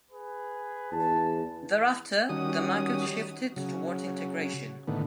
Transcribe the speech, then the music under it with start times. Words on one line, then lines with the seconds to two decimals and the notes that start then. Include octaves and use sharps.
Thereafter, the market shifted toward integration.
0.11 G#4 B4
0.92 E2 A5
2.29 D#3 G3 C#4 F#4 D#6
3.56 C#3 F#3
4.88 A2 D3 D#3 B3